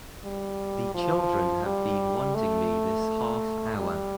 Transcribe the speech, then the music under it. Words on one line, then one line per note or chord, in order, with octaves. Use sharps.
The children have been wanting me this half hour.
G3
F3
G3
A3
G3